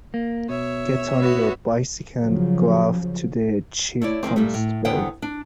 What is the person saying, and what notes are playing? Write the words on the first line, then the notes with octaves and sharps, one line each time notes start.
Get on your bicycle and go off to the Chief Constable.
A#3
B2 C#5 E5
B3 F#4
C#3 F3 F#3
A3 E4 C#5 D5
D#3 E3 A3 C4
A#2 G3 A3
A2
E2 D3 B3 C5 F#5 G5
D4